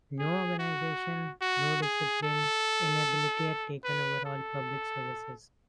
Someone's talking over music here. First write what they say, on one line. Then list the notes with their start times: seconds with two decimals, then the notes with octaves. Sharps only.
No organization, no discipline: inability had taken over all public services.
0.19 G#4
0.59 F#4
1.42 F#4
1.82 G#4
2.23 A4
3.85 B4
4.26 A4